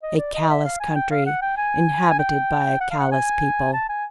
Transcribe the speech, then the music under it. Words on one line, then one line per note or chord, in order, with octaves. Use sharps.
A callous country inhabited by a callous people.
D#5
D5
D#5
E5
F5
G#5
G5
F5
F#5
G5
G#5
G#5
G5
F#5
F5
F#5
G#5
A5
G#5